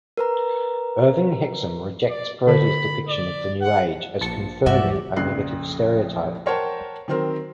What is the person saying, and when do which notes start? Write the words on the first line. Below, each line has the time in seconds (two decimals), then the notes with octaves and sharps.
Irving Hexham rejects Peretti's depiction of the New Age as confirming a negative stereotype.
0.17 A#4 B4 A#5
2.10 D5
2.47 D3 C5 B5
3.08 D5
3.61 F#5
4.21 A#1 F3 A5 C#7
4.66 G2 G#3 F#4 G4 D5 E5
5.16 A#1 F2 C#3 F#6 C7
6.46 A#4 C5 C#5 F#5 G5 A5
7.08 D#3 F#3 C4 A#4 C5